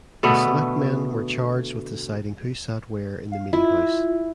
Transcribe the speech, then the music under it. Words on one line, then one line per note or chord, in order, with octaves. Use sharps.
The selectmen were charged with deciding who sat where in the meetinghouse.
B2 D3 A3 B3
F5
E4 F4